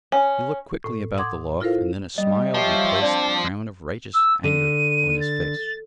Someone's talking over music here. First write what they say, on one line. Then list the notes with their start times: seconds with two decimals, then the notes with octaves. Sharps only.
He looked quickly about the loft, and then a smile replaced the frown of righteous anger on his face.
0.12 C#4
0.84 A2
1.18 F#5 C6 D6 D#6 G#6
1.61 E4 F4 A4 A#4 C5 F5
2.18 G3 D#5
2.54 F3 G4 C#5 E5
3.02 C4 D4 D5
4.13 E6
4.44 D3 D#7
5.20 A6